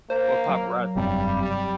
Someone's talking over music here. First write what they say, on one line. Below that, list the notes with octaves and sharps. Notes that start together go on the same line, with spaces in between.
Or Paparazzi?
A#3 C5
F#3
F1 G2 G3 C4
G3